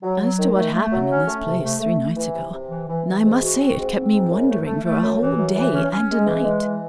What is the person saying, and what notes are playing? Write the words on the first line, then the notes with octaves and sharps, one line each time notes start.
As to what happened in this place three nights ago, I must say it kept me wondering for a whole day and a night.
F#3
F#3
D#3
A3
A3
F#3
C#4
A3
C3
A3
A3
A3
E3
C3
C3
E3
E3
E3
G#2
F#4
C4
G#2
C4
G#2
F#2
A3
A3
A3
F#2
E3
F#2
E3
C#4
C#4
G#3
E3
G#3
E3